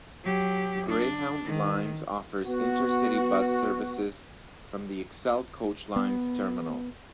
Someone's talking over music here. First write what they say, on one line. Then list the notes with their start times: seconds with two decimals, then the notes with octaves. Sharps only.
Greyhound Lines offers intercity bus services from the Excel Coach Lines terminal.
0.24 F#3 G4
0.89 D4
1.45 D#3
2.46 B3 F#4
5.96 B3